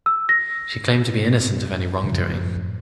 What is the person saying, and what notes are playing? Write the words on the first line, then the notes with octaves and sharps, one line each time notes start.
She claimed to be innocent of any wrongdoing.
E6
A#6
F#2 A2 C#3 F3